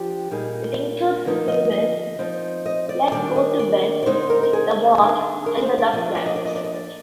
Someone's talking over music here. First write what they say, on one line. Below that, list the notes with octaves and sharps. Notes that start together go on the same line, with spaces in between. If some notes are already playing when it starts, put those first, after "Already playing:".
It includes the singles "Let's Go to Bed", "The Walk" and "The Lovecats".
Already playing: F3 D4 G4
A#2 G3 A#3 D#4 G#4
D3 F3 A#3 D#4
D#5
D#5
F3 C4 D#4
D#5
D5
D#3 G3 A#3 D4 D5
D#5
D5
D5
D3 G#3 C4 D#4 C5
A#4
A#4
G#4
D#3 G#3 D4
A#4
A#4
C5
D5
F3 A#3 D4 D#5
D5
D#5
D5
D#5
D5
D#5
D5